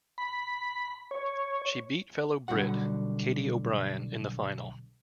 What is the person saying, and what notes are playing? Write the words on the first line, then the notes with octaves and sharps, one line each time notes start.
She beat fellow Brit, Katie O'Brien, in the final.
B5
C#5
B1 D3 G3 F#4 F#5